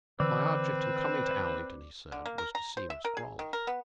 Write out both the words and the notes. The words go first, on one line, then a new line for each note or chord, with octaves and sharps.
"My object in coming to Allington," he said, "was to see Miss Crawley."
D3 E3 C4 B4 D5 E6
D3
A#3
A#4
A#5
C5
E5
A#4
G#4
D#3
A#4
B3